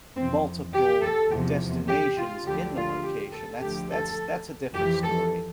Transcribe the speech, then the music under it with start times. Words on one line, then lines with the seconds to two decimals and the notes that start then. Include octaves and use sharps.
multiple destinations in the location, that's that's that's a different story.
0.16 F2 E3 C4
0.74 G4
1.02 A4
1.31 E2 C3 F3 G4
1.89 G4
2.17 F4
2.46 D2 D3 F3 G4
2.75 F4
3.03 G4
3.32 A4
3.61 D2 D3 F3 G4
3.89 A4
4.75 F2 E3 G4
5.03 A4